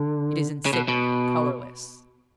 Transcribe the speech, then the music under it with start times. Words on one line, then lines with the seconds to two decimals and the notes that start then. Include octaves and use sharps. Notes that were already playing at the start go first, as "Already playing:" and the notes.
It is insipid, colorless.
Already playing: D3
0.66 C#3
0.73 B2
0.88 B2